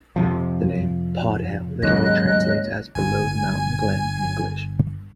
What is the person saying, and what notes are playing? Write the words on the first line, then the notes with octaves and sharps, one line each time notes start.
The name Podhale literally translates as "below the mountain glen" in English.
F2 C3 F3
D#2 G#2 C#3 F#3 D#5 F#6
G1 G#5